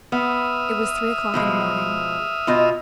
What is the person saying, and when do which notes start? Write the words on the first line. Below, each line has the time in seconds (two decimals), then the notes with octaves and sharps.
It was three o'clock in the morning.
0.12 B3 E5 D#6 F6
1.34 B2 F3 G#3
2.47 B2 F4 D#5